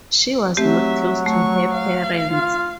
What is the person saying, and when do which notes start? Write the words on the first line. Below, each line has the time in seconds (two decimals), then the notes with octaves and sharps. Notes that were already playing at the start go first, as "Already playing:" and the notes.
She was not close to her parents.
0.57 F#3 A3 C4 G4 E5
1.26 A3 C#6
1.73 F5
2.27 F4